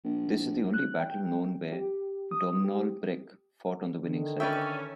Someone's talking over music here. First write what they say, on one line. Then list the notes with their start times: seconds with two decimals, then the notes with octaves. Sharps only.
This is the only battle known where Domnall Brecc fought on the winning side.
0.04 A#1
0.74 F#6
1.00 G5
1.73 G4
2.31 D#6
2.64 G4
4.05 D3 D#3
4.40 C#4 B4 D5 E5 G5